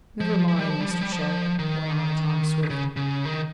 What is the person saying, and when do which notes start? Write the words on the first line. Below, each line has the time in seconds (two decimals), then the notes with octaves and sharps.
"Never mind, Mr. Sharp," went on Tom Swift.
0.20 F3
0.48 F3
0.59 G3
0.70 F3
0.81 G3
0.91 F3
1.02 G3
1.12 F3
1.59 D#3
2.70 C#3
2.96 C#3
3.25 D#3